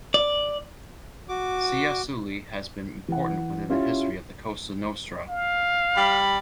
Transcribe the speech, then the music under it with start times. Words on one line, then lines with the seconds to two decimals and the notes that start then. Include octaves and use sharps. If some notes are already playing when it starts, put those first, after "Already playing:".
Ciaculli has been important within the history of the Cosa Nostra.
0.14 D5
1.29 F#4 D6
3.08 E3 F#5
3.70 C#4 E4 F4 G4
5.29 F5
5.95 G3 D5 B5